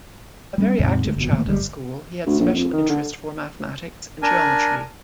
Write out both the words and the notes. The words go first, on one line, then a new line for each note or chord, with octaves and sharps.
A very active child at school, he had special interest for mathematics and geometry.
G3 A3 C#4
D#2 G#2 C3
D2 G#3
G1 B2
B2 D#3 A3 A#3
G1 D2 G3 G#3
D2
A#1
F2
D#3
D3
D4 A#4 G#5